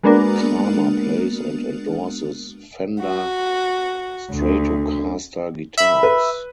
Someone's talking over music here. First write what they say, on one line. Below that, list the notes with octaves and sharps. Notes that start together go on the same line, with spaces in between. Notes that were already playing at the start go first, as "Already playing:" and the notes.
Kramer plays and endorses Fender Stratocaster guitars.
G#3 A#3 B3 D4 F#4 A#4
F#4
D2
E5 B5
B4